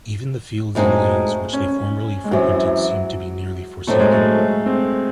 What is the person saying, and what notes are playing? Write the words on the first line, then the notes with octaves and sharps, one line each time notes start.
Even the fields and lanes which they formerly frequented seem to be nearly forsaken.
A2 G#3 C4 D#4 F#4
C#4
G#3
F#2 E3 F#3 C4
A2 F#3 A3 C4 D#4 F#4
G#3
A3
C4